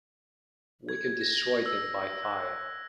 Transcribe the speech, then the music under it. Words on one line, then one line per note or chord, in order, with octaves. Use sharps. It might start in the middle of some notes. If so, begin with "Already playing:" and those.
We can destroy them by fire.
G#6
A#6
E6
F#6